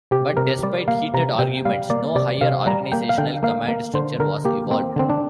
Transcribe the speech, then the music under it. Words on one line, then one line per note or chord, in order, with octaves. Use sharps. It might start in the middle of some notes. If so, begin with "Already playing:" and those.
But despite heated arguments, no higher organisational command structure was evolved.
C3 G4
C3 A#4
G3 D5
A#3 F5
C3 A#5
C3 G5
G3 F5
A#3 D5
C3 D5
C3 F5
G3 A#5
A#3 G5
F5
D3 G5
A#3 F5
A#3
D3 C5
D3 A#4
A#3 G4
A#3 C4
D3 C4
D4